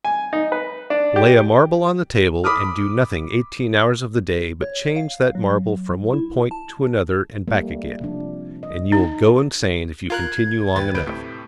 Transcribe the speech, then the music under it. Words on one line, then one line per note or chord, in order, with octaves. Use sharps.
Lay a marble on the table and do nothing eighteen hours of the day but change that marble from one point to another and back again, and you will go insane if you continue long enough.
G#5
D#4
B4
D4
G4
B5 D6 D#6 F6
C#5
F5
F#3
E4
A5
G3 A3 A#3
C3 F3 D4
D#5
D#4
F4 A#4 F#6 G#6
D#2 B4 G5 A6
D2 B4 G6 D7
A2 C3 A3